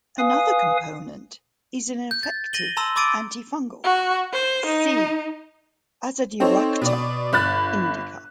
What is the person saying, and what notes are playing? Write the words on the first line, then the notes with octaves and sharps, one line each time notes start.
Another component is an effective anti-fungal; see "Azadirachta indica".
B4 F5 G#5 D#6
G6
A6
A#6 D#7 F#7 G7
A5 A#5 C6 E6
B5 D6 E6 A6 D7 D#7
F#4
C5
D#4
C4 D#4 A4 C5 C#5
B2 D5
G1 B5 F#6 A6